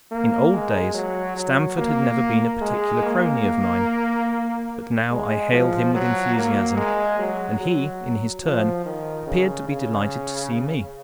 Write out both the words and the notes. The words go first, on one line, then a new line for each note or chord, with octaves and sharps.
In old days Stamford had never been a particular crony of mine, but now I hailed him with enthusiasm, and he, in his turn, appeared to be delighted to see me.
A#3
G#3
F#3
F#3
A#3
G#3
A#3
G#3
F3
F#3
A#3
G#3
F#3
F#3
F3
D#3
C#3
C#3